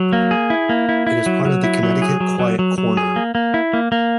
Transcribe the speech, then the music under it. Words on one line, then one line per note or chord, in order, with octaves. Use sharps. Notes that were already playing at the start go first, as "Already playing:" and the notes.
It is part of the Connecticut Quiet Corner.
Already playing: F#3
A#3
G#4
E4
A#3
E4
E4
F#3
F#3
E4
F#3
G#4
F#3
F#3
F#3
F#3
G#4
A#3
A#3
E4
A#3
A#3